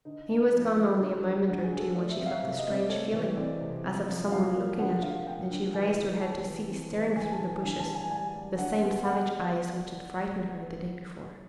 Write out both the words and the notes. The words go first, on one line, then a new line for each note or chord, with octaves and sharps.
He was gone only a moment or two when she felt a strange feeling as of some one looking at her, and she raised her head to see, staring through the bushes, the same savage eyes which had frightened her the day before.
D3 D#4
D3
F3
F3
D3
D3
D3 F#4
G#4
D3
A4
A3 D5
E5
C4
F5
C3
D#5
C4
D5
A3 C#5
E3
C4 D5
C3
F3
F3
F3 F5
A#3
D3 F#5
D3 F5
F3 G5
D3
E3 G#5
E3
E3 A5
E3
C4
E3
E3 G#5
A5
E3
G#5
D3 G#5
A5
G3
G#5
G3 G#5
G3
D3 F#5
B3
G3 F#5